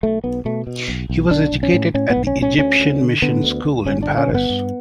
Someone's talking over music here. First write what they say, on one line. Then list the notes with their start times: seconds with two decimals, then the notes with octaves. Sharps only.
He was educated at the Egyptian Mission School in Paris.
0.03 B1 A3
0.24 B1 B3
0.45 B2 A3
0.67 B2
0.88 B1
1.10 B1
1.31 B1 D4
1.52 B1
1.63 C#4
1.74 A2
1.94 A2 C#4
2.10 B3
2.16 B1
2.27 C#4
2.37 B1
2.42 C#4
2.58 D2 C#4
2.80 D2
3.01 D3
3.22 D3 B3
3.44 D2
3.65 D2
3.86 G1 C#4
4.03 D4
4.08 D3
4.18 C#4
4.29 G1
4.35 B3
4.50 G2